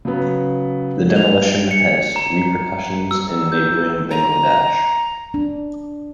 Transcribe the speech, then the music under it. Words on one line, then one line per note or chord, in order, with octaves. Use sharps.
The demolition has repercussions in neighboring Bangladesh.
C#3 F#3 B3
F7
C#7
A#5
E6
G6
A#5
D4